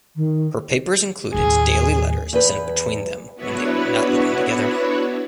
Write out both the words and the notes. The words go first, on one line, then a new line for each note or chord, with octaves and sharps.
Her papers included daily letters sent between them when they were not living together.
D#3
D#2 A2 G#4
E2 B4
B3 D4 E4 F#4 B4 C#5